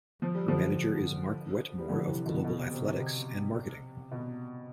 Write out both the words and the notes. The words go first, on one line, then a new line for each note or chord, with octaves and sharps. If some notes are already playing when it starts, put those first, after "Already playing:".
Her manager is Mark Wetmore of Global Athletics and Marketing.
F3
G3
D3 F3
G3
D3 F3
C3 E3
B2 D3
B2
C3
C3
C3
C3
B2